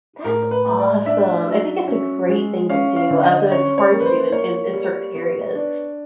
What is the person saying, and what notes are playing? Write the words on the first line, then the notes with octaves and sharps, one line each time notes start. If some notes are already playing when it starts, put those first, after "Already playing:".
That's awesome. I think that's a great thing to do, although it's hard to do in in in certain areas.
A2 A#4
B4
A3
D5
D4 E5
F#3
C#4
G#3
C#4 F5
F5
D3
D#5
C#4 C#5
C#5
A#3
B4
C5
A#3 C#5
G3
B3
D4